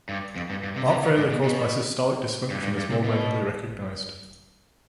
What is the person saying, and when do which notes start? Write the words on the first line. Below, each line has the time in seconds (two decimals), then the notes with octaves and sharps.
Heart failure caused by systolic dysfunction is more readily recognized.
0.09 G2
0.36 F2
0.50 G2
0.64 G2
0.76 C3
0.89 D3
1.04 D#3
1.17 G#2
1.30 B2
1.44 B2
2.50 G2
2.63 G2
2.78 G2
2.90 C3
3.04 B2